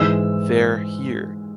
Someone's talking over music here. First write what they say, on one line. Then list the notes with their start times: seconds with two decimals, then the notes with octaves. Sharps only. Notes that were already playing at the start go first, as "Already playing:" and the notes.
They’re here.
Already playing: G#2 E3 G#3 E6